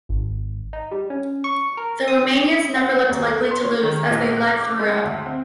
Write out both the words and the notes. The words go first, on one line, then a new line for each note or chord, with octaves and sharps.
The Romanians never looked likely to lose as they led throughout.
G#1
D#4
G3
C#4
C#6
A#4
D#6
F#5
D#2
A3
C6
C#5
D#3
A#1
F#6
D6
G#3
D2
C4